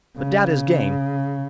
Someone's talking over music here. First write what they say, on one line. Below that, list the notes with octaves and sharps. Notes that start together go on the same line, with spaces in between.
But dad is game.
C#3